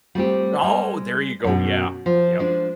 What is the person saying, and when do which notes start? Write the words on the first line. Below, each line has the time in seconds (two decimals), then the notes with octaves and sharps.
Oh, there you go, yeah, yep.
0.15 G3 A3 C4 G4
0.63 G3 G#3
1.44 F#2 B2
2.06 F3
2.39 F3 G#3 D4